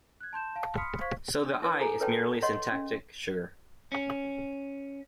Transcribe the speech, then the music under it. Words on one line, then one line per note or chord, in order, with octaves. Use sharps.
So the "I" is merely syntactic sugar.
F#6 G#6
A5 C6 G6 E7
F5 A5
B5 C6 D#6 F6 B6 C#7
C5 F5 C#6 G#6 B6
D4
E4 B4 C#5
G#4 A4 G#5 A#5
A4 B4 C#5 G5 A5
C#5 D#5 F#5 C6
C#4
C#4